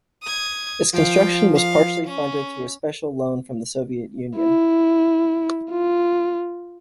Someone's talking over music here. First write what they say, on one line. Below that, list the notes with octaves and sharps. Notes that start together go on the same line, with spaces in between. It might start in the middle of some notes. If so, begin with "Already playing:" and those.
Its construction was partially funded through a special loan from the Soviet Union.
D#6 G#6
F3 F5 G5
F5
C#4
E4
F4